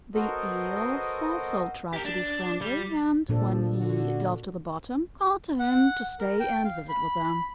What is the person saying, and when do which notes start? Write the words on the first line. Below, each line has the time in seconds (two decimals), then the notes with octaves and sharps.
The Eels also tried to be friendly, and, when he dove to the bottom, called to him to stay and visit with them.
0.14 B3 F#4 A4 A#4 C5 D#5
1.93 G4 A#4
2.05 D4
2.62 G3
3.29 A#2 F3 D4 A4
3.77 D3 F#4
5.59 F#5
6.20 A#4
6.40 G5
6.65 F5
6.89 B5